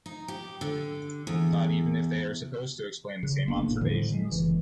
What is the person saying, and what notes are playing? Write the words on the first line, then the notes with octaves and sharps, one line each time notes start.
Not even if they are supposed to explain the same observations.
D#4
G4
D3
E2
C#3
F1 A#3 B3 D4
E1 A2
A2 D3 F3 G3
G#3
F#1 E3